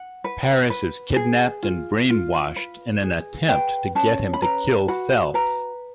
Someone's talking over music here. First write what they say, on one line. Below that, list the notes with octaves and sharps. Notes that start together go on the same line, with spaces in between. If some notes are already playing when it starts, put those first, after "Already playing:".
Paris is kidnapped and brainwashed in an attempt to get him to kill Phelps.
Already playing: F#5
B4
B4
G#4
F4
F4
B4
G#4
B4 G5
C#4 A5
B5
B4 A#5
F#4 B5
B4 A#5